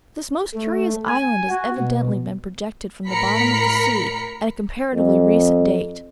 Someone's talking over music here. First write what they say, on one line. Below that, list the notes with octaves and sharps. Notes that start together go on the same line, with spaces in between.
This most curious island has evidently been projected from the bottom of the sea at a comparatively recent date.
A3
G#5
F#4
B2
A2 A#4 B5 B6 C#7
F2